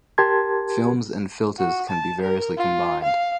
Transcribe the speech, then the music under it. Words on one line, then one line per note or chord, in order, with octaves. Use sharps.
Films and filters can be variously combined.
G4 A#4 A5 C6 G#6
F#4
A5
A#4
F4
F5